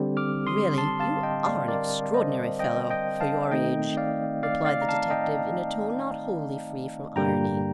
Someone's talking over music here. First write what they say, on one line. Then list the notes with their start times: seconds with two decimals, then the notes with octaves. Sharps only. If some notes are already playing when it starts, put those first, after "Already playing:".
"Really--you are an extraordinary fellow--for your age!" replied the detective in a tone not wholly free from irony.
Already playing: D3 G3 C4
0.17 D6 F6
0.47 C6 D#6
0.78 A5 C6
1.00 F5 A5
1.23 D#5 G5
1.46 D5 F5
1.68 A#4 D5
2.14 C5 D#5
2.59 D#5 G5
2.90 D#5 G5
3.20 F5 A5
3.51 D#3 A3 C4 D#4 D#5 G5
3.97 D5 F5
4.43 D5 F5
4.65 D5 F5
4.82 A#5
4.89 F5 A5
5.11 D#5 G5
7.16 G2 D3 G3 A#3 G5 A#5